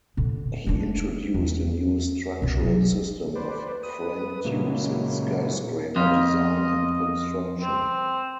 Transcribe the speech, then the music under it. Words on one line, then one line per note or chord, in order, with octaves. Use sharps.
He introduced a new structural system of framed tubes in skyscraper design and construction.
A#2 D3
A3 D4
E2
B1 F4
F#3
B4 C5 D5
B4 D#6
A#2 C#3 F#3 G#3 A#3 E4
F2 F4 D#5
C4